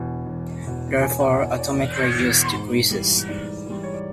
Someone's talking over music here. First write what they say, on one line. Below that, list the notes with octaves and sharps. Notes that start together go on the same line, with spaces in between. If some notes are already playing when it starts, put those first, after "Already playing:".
Therefore, atomic radius decreases.
Already playing: E1 E2 B2 G#5
E1
E2 B2
E1 G#5
F#5
E2 B2 D5
C#5
D5
E1 D5
E2 B2
G#2
E3 G3
G#2 D5
E3 G3
C#5
D5